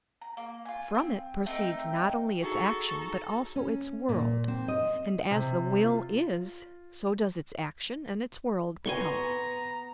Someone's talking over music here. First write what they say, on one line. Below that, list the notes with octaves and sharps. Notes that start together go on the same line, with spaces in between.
From it proceeds not only its action, but also its world; and as the will is, so does its action and its world become.
A#5
A#3
F4 G#5
C4
A3 C4 D#4 G5
D#4 F#4 G#4 A4 A#5 C#6
C#4
A#2
C4
D#5
C3
F4
B3 G#5 A#5 C6 C#6